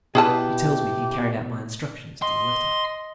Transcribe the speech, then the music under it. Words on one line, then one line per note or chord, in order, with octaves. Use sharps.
He tells me he carried out my instructions to the letter.
B2 E4 G4 G#4 B4 F#5 A5
D#5 C6